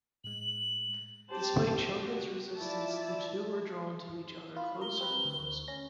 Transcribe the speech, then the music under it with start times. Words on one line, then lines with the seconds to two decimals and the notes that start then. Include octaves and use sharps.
Despite Shunkin's resistance the two are drawn to each other closer and closer.
0.24 A2 G#3 F#7
1.31 C4 G4 C5 A5
1.86 F#4 G4
2.57 F3 E4 D5 E5 A5
4.56 F4 B5
4.81 A#4 G7
5.01 C4 B4
5.25 D2
5.68 C#4 A#6